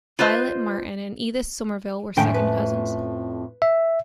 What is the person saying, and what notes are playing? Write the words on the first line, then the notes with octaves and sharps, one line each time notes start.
Violet Martin and Edith Somerville were second cousins.
F4 B4 C5 D#5
F2 A2 D3 D#3 C#4 G5
B4
E5